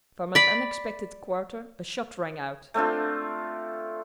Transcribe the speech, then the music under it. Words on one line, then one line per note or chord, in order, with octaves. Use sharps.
From an unexpected quarter a shot rang out.
D5 B5
A3 C4 D4 F4